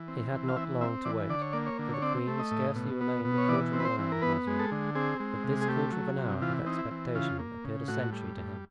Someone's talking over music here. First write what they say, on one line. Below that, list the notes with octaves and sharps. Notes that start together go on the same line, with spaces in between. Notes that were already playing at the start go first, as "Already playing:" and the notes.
He had not long to wait, for the queen scarcely remained a quarter of an hour with Mazarin, but this quarter of an hour of expectation appeared a century to him.
Already playing: E3
C4
E3
F5
E3 E5
C4 E5
E3 D5
D3 D5
C#5
A#3 D5
C#5
D3
C#5
C4 D5
A3
D#5
A2
B2
B3
B2
C#5
E3 D5
C4
B4
C5
E3
A#4
B3 B4
G#3
A4
D3
C4 G#4
G#3
C3
G#4
A3 G4
F#3
C3
E3 F4
C4 D#4
E4
E3
C#3 F4
A#3
C#3
A2 F#4
G3
A2